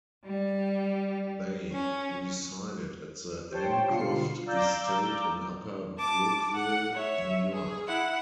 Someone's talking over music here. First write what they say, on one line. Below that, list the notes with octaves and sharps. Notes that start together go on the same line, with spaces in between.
They resided at the Elmcroft Estate in Upper Brookville, New York.
G3
C#4
G4 C5 C#5 G5 A5
B2 D3 G3 F4 C7 C#7
D5 F5 A#5 D6 E6 G6
A5 D6
F#5
C#5 E5
G#4
E4 F#5